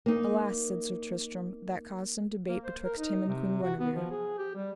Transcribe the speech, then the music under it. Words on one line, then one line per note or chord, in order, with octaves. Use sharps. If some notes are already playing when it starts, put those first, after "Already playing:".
Alas, said Sir Tristram, that caused some debate betwixt him and Queen Guenever.
A#3 D#4
A#3
C5
A#4
D#4
C3
F#4
B3
F3
G#4
G4
G3